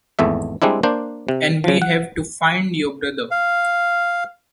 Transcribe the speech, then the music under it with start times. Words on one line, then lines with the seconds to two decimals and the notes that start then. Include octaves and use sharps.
And we have to find your brother.
0.19 G#1 E2 A3 E5
0.62 G3 G#3 C4 D4 E4
0.83 A#3 D4 C5
1.28 C3
1.64 C#3 F3
1.82 F#5
3.31 F5